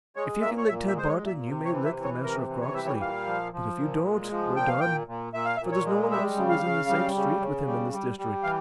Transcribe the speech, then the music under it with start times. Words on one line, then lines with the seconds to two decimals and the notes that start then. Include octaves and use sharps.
If you can lick Ted Barton you may lick the Master of Croxley, but if you don't we're done, for there's no one else who is in the same street with him in this district.
0.16 G#3 C#5
0.42 A#2 E5
0.58 C#5
0.68 A#2 E5
0.88 E5
0.94 G#3 C5
1.08 C#5
1.20 A#2
1.27 E5
1.46 C3
1.65 C#5
1.72 E3
1.85 E5
1.98 E3
2.04 C#5
2.24 C3 A#4
2.49 E3
2.62 C#5
2.74 G3 E5
2.87 C#5
3.00 A#2 F5
3.26 F3
3.53 F3
3.79 A#2
4.04 G#3
4.30 F3
4.56 A#2 G5
4.68 F5
4.80 A#2 G5
5.07 A#2
5.33 A#2 E5
5.45 F5
5.57 E5
5.60 A#2
5.72 C#5
5.85 G#3
6.11 G3 E5
6.36 C#3
6.49 F5
6.63 C#3
6.89 G3
7.15 C#3
7.40 C#3
7.67 G3
7.93 G3
8.19 G3
8.43 E3 F5